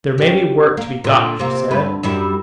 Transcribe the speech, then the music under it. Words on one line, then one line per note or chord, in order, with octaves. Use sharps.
'There may be work to be got,' she said.
C#4 G4
A#3
A#2 D3
C3 A#3
D2 G2 B4
F#2 G3 E4